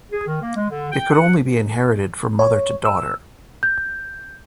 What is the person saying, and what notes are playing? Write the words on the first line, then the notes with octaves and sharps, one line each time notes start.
It could only be inherited from mother to daughter.
G#4
D#3
A#3
G#3
D3
G5
F#5
C#5
E6
G6